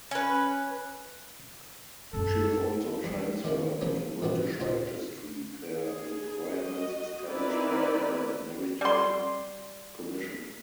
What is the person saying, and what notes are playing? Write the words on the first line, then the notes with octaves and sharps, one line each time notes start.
She was also transferred into British registry per requirements established by the Maritime Commission.
C#4 B4
F#2 A#3 A4
E2 G3
D#3 A#3 C#4 E4
C#3 E3 F#3 A#3 B3 C#4
A1 G2 B2 E3 C4 F#4
D2 A#2 C#3 C4 D#4 F4
G#4
F#4 D#5
C4 D#4 E4 A#4 B4 D5
G3 C6